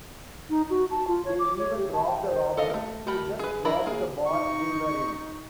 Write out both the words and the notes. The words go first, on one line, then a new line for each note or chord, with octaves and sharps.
They even rob the robber who just robbed the bar they were in.
D#4
F#4
A5
F4
C#5
D6
C#5
G4
A5
G5
C5
A4 D#5 F5
A3 A#3
A3 G4 A#4 B5
G#4 B4
F3 D4 E4 A#4 B5
A#3 G#4
D#4 C#6